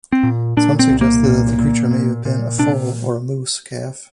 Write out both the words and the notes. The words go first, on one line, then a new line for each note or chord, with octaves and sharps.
Some suggested that the creature may have been a foal or a moose calf.
C4
A#2
A#2 D4
C4
C2
A#3
A#2
A#2
A#2
A#2
C3 D4